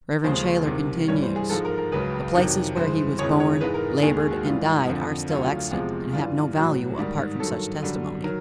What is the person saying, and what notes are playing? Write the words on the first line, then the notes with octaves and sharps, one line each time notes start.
Rev. Shayler continues: "The places where he was born, labored and died are still extant, and have no value apart from such testimony."
D#2 C#3 F3 G#3 C5
C2 C3 D#3
G2 E3 G3 C#5
C5
G#4
G#2 F3 G#3 A4
A#4
A#4
C#2 C#3 F#3 B4
F2 C3 D#3 F#3
G2 E3 G#3 C5
F2 C#3 E3 G#3 C#5
C#5
G#2 E3 G#3 B4
A#4
D#2 D#3 G#3 G#4
G#4
F#4
G#2 E3 G3 F4
F2 D3 F3
D2 D3 F#3 F4
F4
F4
E2 C3 F3 G#3 F4
G2 E3 G3 F4
A2 F#3 F#4
G#2 D#3 G3
G2 D#3 F#3 A4
F#2 D3 G3
D#3 F#3 A#4